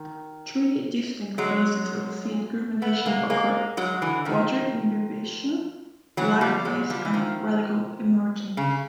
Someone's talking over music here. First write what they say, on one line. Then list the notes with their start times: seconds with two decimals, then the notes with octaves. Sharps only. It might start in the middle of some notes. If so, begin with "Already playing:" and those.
Three distinct phases of seed germination occur: water imbibition; lag phase; and radicle emergence.
Already playing: D#3
1.38 F#3 G#3
2.82 A3 B3
3.06 G#3 A#3
3.30 G#3 A#3
3.77 F#3 G#3
4.02 D3 E3
4.25 D#3 F3
6.17 E3 F#3
6.41 F3 G3
6.65 F#3 G#3
6.90 F3 G3
7.05 E3
7.14 D#3 F3
8.57 C#3